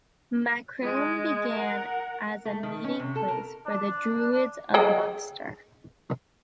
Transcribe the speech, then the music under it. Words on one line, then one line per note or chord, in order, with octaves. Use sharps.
Macroom began as a meeting place for the Druids of Munster.
G#3
A#4 F#5
A3
D#3
C#4
C3
A4
A#4
D4
G#4 D#5 G5